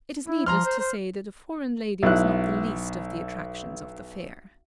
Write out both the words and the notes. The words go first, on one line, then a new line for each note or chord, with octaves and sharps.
It is needless to say that a foreign lady was not the least of the attractions of the fair.
E4
F3 A#5 C6 F6
C5
C5
B1 E4 F#6